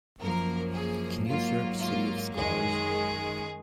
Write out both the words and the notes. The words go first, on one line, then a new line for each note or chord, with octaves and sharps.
Can you search City of Scars?
F#2 F3 A#3 A#4
G#4
G#2 F#3 A#3 F4
F4
F#2 D#3 G#3 G#4